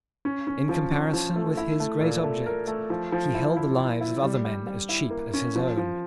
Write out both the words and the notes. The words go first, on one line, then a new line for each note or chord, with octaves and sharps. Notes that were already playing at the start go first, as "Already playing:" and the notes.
In comparison with his great object he held the lives of other men as cheap as his own.
C#4
C#4
F3
C#4
F3
A3
E4
A3
A#2
A3
A#4
A3
F3
F3
E4
E4
E4
E4
G3
G3
G3
E4
A#3
C#4
F3
F3